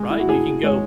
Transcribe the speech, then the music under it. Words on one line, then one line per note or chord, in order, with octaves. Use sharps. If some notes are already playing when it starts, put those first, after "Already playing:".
Right? You can go
Already playing: G#3
E4
F#4
A2 G#4
G#3 C#5